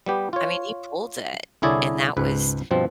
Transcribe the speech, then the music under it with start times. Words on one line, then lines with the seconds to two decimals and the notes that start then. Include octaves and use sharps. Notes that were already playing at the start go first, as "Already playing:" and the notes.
I mean, he pulled it, and that was
0.06 G3 B3 G4
0.33 F4 C#5
1.62 C2 D3 E4 G#4 C#5 D5
2.17 C#2 G#2 B4
2.71 G2 B2 F3 C4